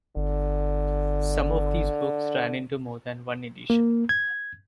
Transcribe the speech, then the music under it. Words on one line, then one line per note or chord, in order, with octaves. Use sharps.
Some of these books ran into more than one edition.
G1 D3
A#3
G#6